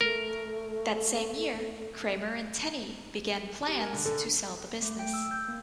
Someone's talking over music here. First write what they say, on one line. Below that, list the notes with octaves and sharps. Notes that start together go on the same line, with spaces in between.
That same year Kramer and Tenney began plans to sell the business.
A3 A#4
G3
A#4 G#5
D3
D3 A4
A3
G5
E6
G6
A#3